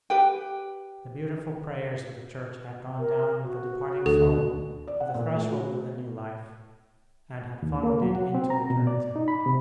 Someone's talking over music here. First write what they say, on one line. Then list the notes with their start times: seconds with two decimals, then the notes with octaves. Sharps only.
The beautiful prayers of the Church had gone down with the departing soul to the threshold of the new life, and had followed it into eternity.
0.10 G4 B4 G5
2.99 A#4
3.44 F#4
4.06 D2 A4
4.88 D5
5.00 F#5
5.15 A#2
5.35 A3
5.52 F#4
7.62 D#2
7.83 A#3
8.02 F#3
8.16 F#5
8.35 C4
8.50 A#5
8.70 B2
8.87 D5
9.16 D#4
9.28 B5
9.46 C3